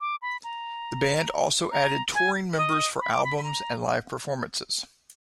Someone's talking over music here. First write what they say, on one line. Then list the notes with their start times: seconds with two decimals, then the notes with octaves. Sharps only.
The band also added touring members for albums and live performances.
0.01 D6
0.22 B5
0.44 A#5
1.72 A#5
2.15 G#5
2.57 D#5
3.01 B5
3.12 D6
3.24 B5
3.38 B5
3.44 A#5